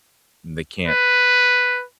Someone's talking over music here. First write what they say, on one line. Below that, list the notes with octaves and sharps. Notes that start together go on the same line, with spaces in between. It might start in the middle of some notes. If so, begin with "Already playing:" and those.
They can't
B4